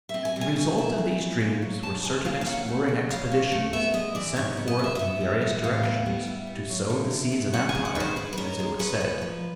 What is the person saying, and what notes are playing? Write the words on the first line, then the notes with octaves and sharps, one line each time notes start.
The result of these dreams were certain exploring expeditions sent forth in various directions to "sow the seeds of empire," as it was said.
C4 E5
G#5
G3
G#5
B2
E4
C4
B2
A#3
F#3
B2 A5
B2 G#5
A#3 F5
F5
C#4 F#5
A3
F3
C#3 F5
C#4
A3
B3 E5
G#3 D#5
E3 D5
G#2 C#5
B3
D#5
G#3 E5
D#5
B3 E5
G3
E3
A2 F5
B3
G3
E4
B3
F#3
D3
E4
B3
C#4 F#5
G#5
G#3
F#5
D#3 B4 C5
G#2 B4
B4
C#4 A#4
G#3 A#4
C#4 B4
A#3
F3